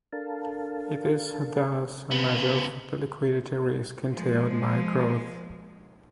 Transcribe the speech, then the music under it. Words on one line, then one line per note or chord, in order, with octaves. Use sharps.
It is thus a measure of the liquidity risk entailed by growth.
D4 A4 A#4 F5 A5
C#3 B3
F3 G#3